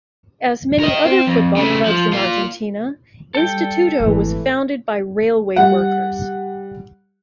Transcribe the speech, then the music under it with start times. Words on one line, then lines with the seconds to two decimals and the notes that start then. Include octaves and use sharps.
As many other football clubs in Argentina, Instituto was founded by railway workers.
0.80 A#4 D#5
1.05 C4
1.27 F2
1.57 C#3 A3
1.86 F3
2.13 F4 A#4
3.35 G3 A4 G5
4.00 G#1 A#2 E3 A3
5.56 G3 F#5